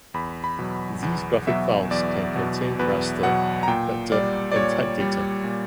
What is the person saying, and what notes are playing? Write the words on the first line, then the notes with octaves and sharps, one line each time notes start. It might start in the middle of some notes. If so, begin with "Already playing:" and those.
These graphics files can contain raster, vector, and type data.
E2 B5
B5
B2 F#3
E2
B2 F#3 E5
E2 D5
B2 F#3
E2 B4
B2 F#3 F#5
A#5
A#2 G5
G3 D5
D5
A#2 C#5
G3
A#2